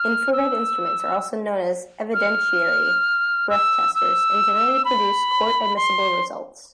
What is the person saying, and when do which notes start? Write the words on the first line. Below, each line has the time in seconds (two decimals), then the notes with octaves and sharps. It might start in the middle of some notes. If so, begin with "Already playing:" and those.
Infrared instruments are also known as "evidentiary breath testers" and generally produce court-admissible results.
Already playing: F6
0.33 E6
2.14 F6
3.50 E6
3.95 E6
4.85 B5
5.76 C6